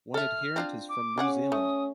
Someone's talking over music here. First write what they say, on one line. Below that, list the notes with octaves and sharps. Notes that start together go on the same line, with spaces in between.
One adherent is from New Zealand.
A4 E5 F6
C4 D4 F4
D6
C#3 C#4 G#4 F#5
A3 D#6